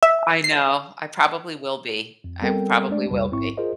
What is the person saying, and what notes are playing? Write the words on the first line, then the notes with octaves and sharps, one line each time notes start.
I know, I probably will be, I probably will be.
E5
C7
F2
G3 B3 C4 A4 A#4 G5
G#3 A3 D4 D5
B1 F2 C3 G3 B4
A1 G#2 C4 E4 C#6
F4 G#4 A#4 C5 D#5